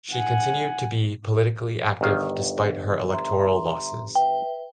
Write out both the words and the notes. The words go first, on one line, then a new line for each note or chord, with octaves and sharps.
She continued to be politically active despite her electoral losses.
F#5 G#5
G1 D#3 F5
E5 A#5 C6
B4 E5 G5